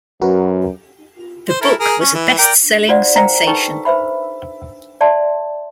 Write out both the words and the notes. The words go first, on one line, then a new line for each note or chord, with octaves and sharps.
The book was a bestselling sensation.
F#2 F#4 A#4 B4
C5
E4 A4 A#4
G#4 A#4
C#4
E3
A#4 D5 G5
F4 F#4 C5 D5 F5 F#5
A#4 C5 F5 G5 A#5
D#4 A4 B4 G5 C#6
B4 C5 E5 B5
D5 E5 A5 C6